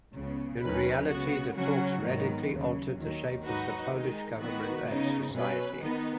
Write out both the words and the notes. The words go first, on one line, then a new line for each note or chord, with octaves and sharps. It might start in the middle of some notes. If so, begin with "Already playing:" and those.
In reality, the talks radically altered the shape of the Polish government and society.
C#2 C#3 B3
D#2 D#3 F#3 C#4 B4
C#2 C#3 B3 F#4
C#3 F#3 C#4 F#4
G#2 D#3 F#3 B3
D#2 C#3 F#3
D#2 D#3 F#3
G#2 F#3 D#4 F#4 B4
D#3 G#3 D#4
D#3 B3 F#4 B4
C#3 B3 D#4
B2 F#3 C#4 B4
D#3 B3 D#4